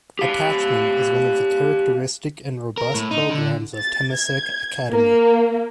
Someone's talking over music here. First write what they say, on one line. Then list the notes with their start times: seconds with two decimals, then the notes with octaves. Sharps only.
Attachment is one of the characteristic and robust programmes of Temasek Academy.
0.19 G4 F5
2.78 A#4
2.94 A2
3.11 D#4
3.31 D3
3.79 A6
4.14 G#6
4.90 A#3